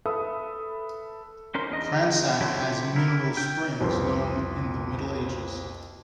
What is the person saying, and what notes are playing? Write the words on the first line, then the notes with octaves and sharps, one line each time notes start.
Cransac has mineral springs, known in the middle ages.
A4 B4 E5 B5 D#6
C#4 D#4 A#4 C5 C6
E2 D4 D#5 A#5
D3 F#3 C#4 E4 G4 C5
E4 A#4
G5
C2 F2 B3 C6